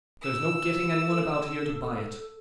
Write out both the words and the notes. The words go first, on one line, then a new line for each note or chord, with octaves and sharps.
There's no getting any one about here to buy it.
E6
A4